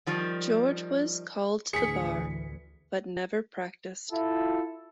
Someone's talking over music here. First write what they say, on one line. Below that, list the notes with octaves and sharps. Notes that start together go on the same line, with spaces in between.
George was called to the Bar, but never practised.
D#3 F3 G3
A1 D2 E3 G#4 B6 C#7
E4 F4 A4